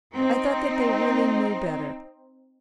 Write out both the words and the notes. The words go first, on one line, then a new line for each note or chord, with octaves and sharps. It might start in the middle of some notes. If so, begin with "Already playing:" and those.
I thought that they really knew better.
C4 D#4